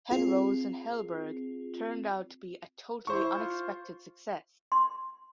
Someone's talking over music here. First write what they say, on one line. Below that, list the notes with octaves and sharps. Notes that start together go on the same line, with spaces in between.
Hederos and Hellberg turned out to be a totally unexpected success.
C4 F4 G#4
E4 C5 C#6
F4
C6